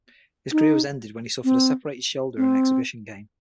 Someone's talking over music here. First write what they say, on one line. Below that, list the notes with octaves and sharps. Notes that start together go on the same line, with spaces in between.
His career was ended when he suffered a separated shoulder in an exhibition game.
D#4
C4
C4